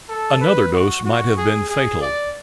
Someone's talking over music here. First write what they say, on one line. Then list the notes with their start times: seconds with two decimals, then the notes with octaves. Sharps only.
Another dose might have been fatal.
0.09 A4
0.41 B4
0.73 F#4
1.05 F#4
1.37 G#4
1.69 G#4
2.02 D5